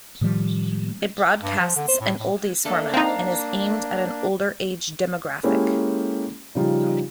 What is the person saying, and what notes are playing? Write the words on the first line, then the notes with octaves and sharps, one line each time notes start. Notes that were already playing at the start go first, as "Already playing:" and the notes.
It broadcasts an oldies format, and is aimed at an older age demographic.
A2 D#3 F3 G3
G2
F3
D3
C5
A2
A2
A3 A#3 D4 A4
C4 D#4 F5 A#5
G#3 A#3 C#4 E4 G4 A4
C#3 F3 G3 D#4 F4